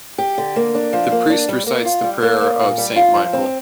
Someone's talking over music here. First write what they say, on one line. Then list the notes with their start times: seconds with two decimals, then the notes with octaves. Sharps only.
The priest recites the prayer of Saint Michael.
0.18 G4
0.38 D3
0.56 A#3
0.75 D4
0.93 F3
1.12 A#3
1.30 D4
1.49 G3
1.66 A#3
1.85 F4
2.04 G3
2.22 A#3
2.41 A#3
2.59 A#2
2.78 G3
2.96 F4
3.15 F3
3.33 C4